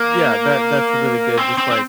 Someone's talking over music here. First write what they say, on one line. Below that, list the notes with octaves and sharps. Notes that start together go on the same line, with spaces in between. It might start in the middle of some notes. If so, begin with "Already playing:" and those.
Yeah, that that's a really good just, like,
Already playing: A#3
C4
C4
C4